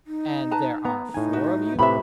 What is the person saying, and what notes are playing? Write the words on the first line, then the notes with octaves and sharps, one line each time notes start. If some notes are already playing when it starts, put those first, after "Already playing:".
"And there are four of you?"
D#4
B4 A5 A#5
B3 A#5
A2 D#4 G#5
F#4 B4 E5
A2 C3 B4 E5 B5